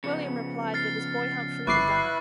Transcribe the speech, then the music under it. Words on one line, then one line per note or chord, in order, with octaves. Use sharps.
William replied that his boy Humphrey had done it.
C#3 F3 B3 C#7
F6 A6 C7
G1 E4 B4 C#6 D6 F#6 C7